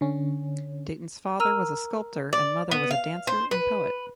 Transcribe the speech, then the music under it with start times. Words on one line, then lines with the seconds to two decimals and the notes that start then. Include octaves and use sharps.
Dayton's father was a sculptor and mother was a dancer and poet.
0.01 D3 C#4
1.39 A#4 A#5 E6 F6 D#7
2.33 D5
2.71 B3
2.91 F5
3.27 C5
3.51 B4